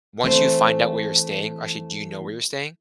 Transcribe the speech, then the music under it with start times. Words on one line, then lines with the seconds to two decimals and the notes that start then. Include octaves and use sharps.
once you find out where you're staying actually, do you know where you're staying?
0.24 E3 A3 C4 C5